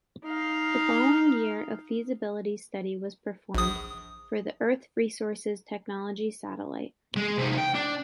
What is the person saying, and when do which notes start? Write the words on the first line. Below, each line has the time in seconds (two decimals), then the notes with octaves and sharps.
The following year a feasibility study was performed for the Earth Resources Technology Satellite.
0.25 D#4 F5
3.54 A#1 D#6
7.16 G#3
7.38 C3 D#4
7.58 G5
7.75 D4